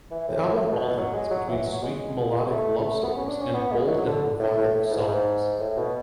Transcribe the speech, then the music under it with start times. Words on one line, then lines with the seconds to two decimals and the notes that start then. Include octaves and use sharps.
The album alternates between "sweet melodic" love stories and "bold and provocative" songs.
0.11 E3
0.28 A2
0.45 A2
0.72 B2
0.97 F#3
1.14 G#3
1.31 F#3
1.49 E3
1.65 F#3
1.83 G#3
2.51 A3
2.78 A3
3.03 B3
3.16 C#4
3.28 D4
3.42 C#4
3.54 B3
3.72 G#3
3.88 F#3
4.06 D3
4.39 A2
4.58 A2
4.74 A2
4.91 G#2
5.08 G#2
5.60 A2
5.78 B2